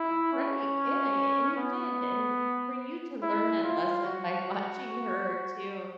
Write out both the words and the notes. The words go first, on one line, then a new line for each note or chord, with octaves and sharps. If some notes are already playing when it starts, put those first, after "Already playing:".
R right. Yeah, y and you did, and for you to learn that lesson by watching her too,
Already playing: E4
C#4
B3
E4
F4
F#4